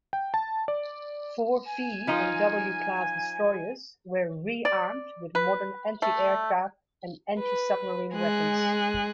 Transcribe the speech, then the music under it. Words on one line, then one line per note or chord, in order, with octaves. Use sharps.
Four V and W-class destroyers were re-armed with modern anti-aircraft and anti-submarine weapons.
G5
A5
D5
G#5
F3 D#4 F4
D5
B4
A3
B4
G#3 G#4 F#6